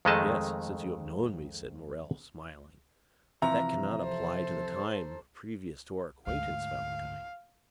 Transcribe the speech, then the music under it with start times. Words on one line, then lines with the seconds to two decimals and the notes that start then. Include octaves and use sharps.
"Yes, since you have known me," said Morrel, smiling; "but that cannot apply to the time previous to our acquaintance, Valentine."
0.05 F2 D#3 G#3 A3 D#5 A5
3.42 C3 E3 F3 E5 A#5
4.03 A4 C5
6.27 D2 G#2 F5